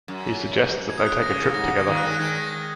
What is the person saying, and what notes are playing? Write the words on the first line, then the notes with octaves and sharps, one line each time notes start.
He suggests that they take a trip together.
F#2
G#6
D#6
F#6
A#6
C#3
A#2 C#7
G#2 A#6
D#3
C#3
G#6
A#2 D#3
F#6
D#3 G#3
F#6
D#3 G#3 G#6
A#6